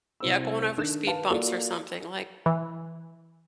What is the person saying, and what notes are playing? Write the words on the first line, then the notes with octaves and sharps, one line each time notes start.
yeah, going over speed bumps or something, like
C2 C4 E6
D#3 D4 E7
B4 F5 A5
A#3 F4 F#4 A4 D5
E3